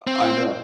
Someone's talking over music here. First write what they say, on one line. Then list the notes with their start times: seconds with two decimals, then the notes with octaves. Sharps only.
I know.
0.07 C4